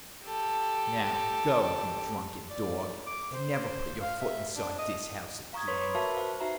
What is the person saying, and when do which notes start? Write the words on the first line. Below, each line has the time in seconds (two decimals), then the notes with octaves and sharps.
"Now, go, you drunken dog, and never put your foot inside this house again."
0.23 G4 A4
2.50 D5
3.06 D6
3.34 C5
4.01 F5
4.21 E5
4.55 D4
4.78 D#5
5.53 F5 A#5 C#6 D#6 G#6
5.67 B4 C#5 C6 C#6 G#6 B6
5.81 B5 D6
5.95 F#4 A#4 B4 E5 F5 A5
6.16 C5 F5
6.40 D#4 F#4 E5 A#5